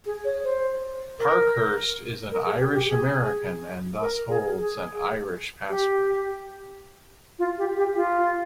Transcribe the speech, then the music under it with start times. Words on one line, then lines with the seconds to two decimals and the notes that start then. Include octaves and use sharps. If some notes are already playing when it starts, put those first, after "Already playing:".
Parkhurst is an Irish-American and thus holds an Irish passport.
0.06 G#4
0.25 C#5
0.44 C5
1.19 A#4
2.31 A#4
2.46 G#4
2.59 G4
2.74 G4
2.88 G#4
4.01 A#4
4.29 G#4
4.57 G#4
5.70 G4
7.39 F4
7.58 G4
7.77 G4
7.96 F4